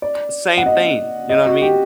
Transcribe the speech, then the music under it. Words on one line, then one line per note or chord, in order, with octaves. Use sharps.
same thing, you know what I mean?
D5
F#5
D#5
D#5
F#4
G4